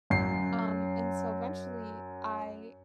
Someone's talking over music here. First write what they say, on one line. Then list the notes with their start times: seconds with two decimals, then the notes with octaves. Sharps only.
Um, and so eventually, I
0.10 F#2 C7